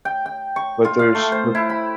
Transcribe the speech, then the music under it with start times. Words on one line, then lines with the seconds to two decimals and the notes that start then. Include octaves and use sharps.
but there's, but
0.05 G5
0.26 G5
0.56 C#6
0.85 F4
0.99 F5
1.15 A3
1.32 C5
1.55 E4
1.70 B5